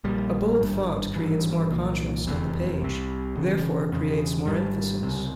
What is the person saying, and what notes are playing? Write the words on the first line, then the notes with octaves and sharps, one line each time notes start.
A bold font creates more contrast on the page, therefore creates more emphasis.
A#1 A#2 G3
G#1 G2
G#1 G2 E3
C2 A#2
F1 E2 C3
C2 C3
E1 E2 C#3
E1 E2 C#3
G#1 G#2 G3
C#2 C3